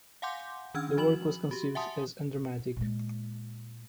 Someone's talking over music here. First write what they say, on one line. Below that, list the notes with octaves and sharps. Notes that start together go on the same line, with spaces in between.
The work was conceived as undramatic.
F5 F#5 G#5 C6 D6 G6
D#3 C#4 D4 E6 F6 G#6
F3 F#4 B5 F#7
F#4 G4
E5 F#5 G#5 A5 C6 D#6
A#2 G#3